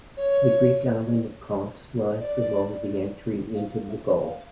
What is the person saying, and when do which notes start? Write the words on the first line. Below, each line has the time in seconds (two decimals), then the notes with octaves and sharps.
The Greek island of Kos lies along the entry into the Gulf.
0.17 C#5
2.20 D5
3.55 F5
3.89 E5
4.22 F5